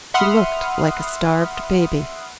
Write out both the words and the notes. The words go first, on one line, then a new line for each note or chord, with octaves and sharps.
She looked like a starved baby.
E5 F#5 B5 C6 D#6 F6